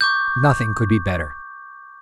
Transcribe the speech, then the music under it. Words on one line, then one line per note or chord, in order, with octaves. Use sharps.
Nothing could be better.
C#6 D6 G6